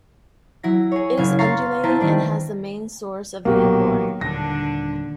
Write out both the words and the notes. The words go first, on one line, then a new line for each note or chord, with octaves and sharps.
It is undulating and has the main source of the Enborne.
F#3 E4 A#6
G#4 C#5
F#1 C#3 F5 G#6
F5 A#5 C6 C#6 A6 C7
B3 C4 E4 C5 A5 A#5
D#3 G3 D4
B1 A#2 D#3 F#3 A#3 B3 F#4 G4
D#1 D3 D4 A#6